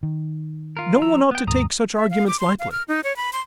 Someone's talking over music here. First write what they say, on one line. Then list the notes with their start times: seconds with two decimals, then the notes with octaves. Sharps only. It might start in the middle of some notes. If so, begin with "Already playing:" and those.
No one ought to take such arguments lightly.
0.03 D#3
0.77 F4 A#4
1.02 F3 A#5 E6
1.31 B3 G5
1.47 D#2 G#2 C4 A#5 D#6
1.96 E5
2.11 F5
2.27 D6
2.40 C6
2.60 F5
2.72 F6
2.88 D#4
3.04 C#5
3.17 B5
3.33 C6